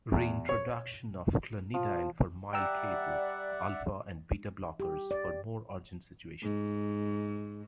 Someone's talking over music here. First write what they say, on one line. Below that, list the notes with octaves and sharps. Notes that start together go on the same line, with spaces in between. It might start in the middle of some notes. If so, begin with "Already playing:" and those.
Reintroduction of clonidine for mild cases, alpha and beta blockers for more urgent situations.
E2
C#5
F3
G3 D5 E5 F#5 G5 A#5 E6
G4
D5
G#2